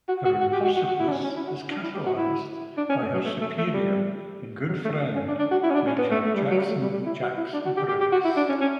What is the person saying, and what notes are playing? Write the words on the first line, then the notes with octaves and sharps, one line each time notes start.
Her impulsiveness is catalyzed by her superior and good friend Major Jackson "Jax" Briggs.
F#4
F#4
F#4
G4
F#4
F#4
F#4
E4
D4
C#4
C#4
E4
F#4
D4
E4
G4
F#4
E4
D4
C#4
A3
F#3
A3
A3
A3
G3
F#3
A3
C#4
D4
D4
F#4
E4
C#4
D4
C#4
B3
A3
A3
G3
F#3
G3
A3
G3
G3
E4
F#4
E4
D4
F#4
G4
G4
G4
F#4
E4
D4
C#4
C#4